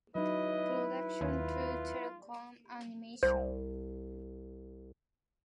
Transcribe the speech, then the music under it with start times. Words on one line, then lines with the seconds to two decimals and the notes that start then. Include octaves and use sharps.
Production to Telecom Animation.
0.15 F#3 D#4 E4 B4 D#5
1.21 D#2 F4
3.23 C2 C5